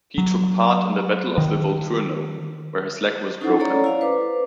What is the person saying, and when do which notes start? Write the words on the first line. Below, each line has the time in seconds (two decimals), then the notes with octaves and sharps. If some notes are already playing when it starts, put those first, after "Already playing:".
He took part in the Battle of the Volturno, where his leg was broken.
0.18 F#3
1.38 D#3
3.41 C#4 D#4 E4 A4 C5 F#5
3.60 C#4 A4 C#5 D5 A#5
3.84 E4 C5 D5 F5
4.01 B4 C5 D6